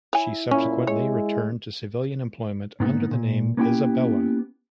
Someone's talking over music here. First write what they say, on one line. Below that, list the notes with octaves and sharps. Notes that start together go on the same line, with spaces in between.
She subsequently returned to civilian employment under the name "Isabella".
E4 C#5 G#5
A#2 C#4 E4
G#3 C#5
G#2 A#3 B3 D#4
A#2
A#3 B3 C#4 E4 G4 G5